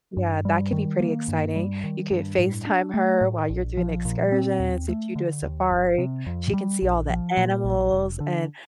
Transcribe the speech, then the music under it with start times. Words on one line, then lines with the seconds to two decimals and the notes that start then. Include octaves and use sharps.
Yeah, that could be pretty exciting. You could FaceTime her while you're doing the excursions. If you do a safari, she can see all the animals and,
0.17 G2
0.45 G3
0.72 D#3
1.00 A#3
1.28 G2
1.55 G3
1.84 D#3
2.11 G2
2.39 A2
2.67 D4
2.94 A3
3.21 A2
3.50 A#1
3.77 F3
4.05 A#2
4.32 C4
4.60 D#2
4.88 A3
5.16 D3
5.43 D#2
5.70 G1
5.98 C3
6.27 F2
6.54 G3
6.82 A#1
7.10 F3
7.37 A#2
7.64 A#1
7.92 F1
8.20 D3